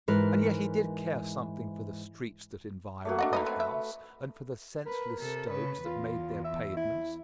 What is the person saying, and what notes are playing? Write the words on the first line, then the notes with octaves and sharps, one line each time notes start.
And yet he did care something for the streets that environed that house, and for the senseless stones that made their pavements.
G#2 E3 A#4 B4
A3 A#3 F#4
D4 D#5 F#5
D#4 B4 C5 D#5
F#3 C4
E5
A#4 B4
C3 A4
C#3 B4
E2 F4
E5
E4